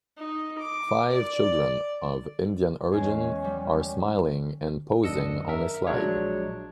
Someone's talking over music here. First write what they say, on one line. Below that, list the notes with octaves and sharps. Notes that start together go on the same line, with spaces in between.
Five children of Indian origin are smiling and posing on a slide.
D#4
D6
D5
E2 G#3 C#4 G#4
G3
G#1 F#2 D4 D#5 E6 C#7
A#4 E5
A#1 F#3 G#3 D4 C#5